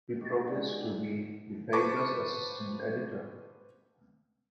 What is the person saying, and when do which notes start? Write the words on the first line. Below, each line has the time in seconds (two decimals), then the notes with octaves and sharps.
He progressed to be the paper's assistant editor.
0.21 D#4 F#4 G4
0.47 G#3 D5 F#5
1.73 B4 C5 A5 B5 C#6 D6